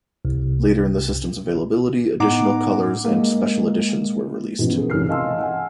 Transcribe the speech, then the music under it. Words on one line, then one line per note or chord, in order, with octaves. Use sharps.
Later in the system's availability, additional colours and special editions were released.
C2
A2 B3 D#4 F#5 A#5 D6
G#3 A#3
B2 E3 F3 B3 C#4
G#4 A#4
A1 C3 F6 C7
D#5 F5 G#5 A5 C6 E6
F#5 G#5